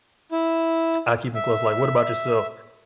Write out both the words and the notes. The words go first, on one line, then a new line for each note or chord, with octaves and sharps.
I keep 'em close, like What about yourself?
E4
E5